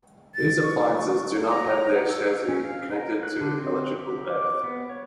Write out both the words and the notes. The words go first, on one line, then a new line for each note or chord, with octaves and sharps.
These appliances do not have their chassis connected to electrical earth.
A6
C#6
A#5
F#5
E6
C#4
F5
A#4
F#6
D3
C4
G4
D6
B3
C#5